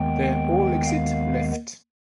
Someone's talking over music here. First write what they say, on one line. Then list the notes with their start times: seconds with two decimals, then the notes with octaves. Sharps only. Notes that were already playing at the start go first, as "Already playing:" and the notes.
They all exit left.
Already playing: D#2 D#3 G#3 B3 G5
0.86 F5